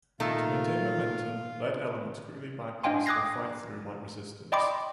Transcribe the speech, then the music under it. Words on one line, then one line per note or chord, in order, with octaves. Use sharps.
To maintain momentum, lead elements quickly bypass or fight through light resistance.
A#2 D#3 A3 F4 F5
D4 D#5 F5 G5 G#5 C6
D6 D#6 F#6 G#6 A#6 C7
D5 D#5 G5 B5 C6 D6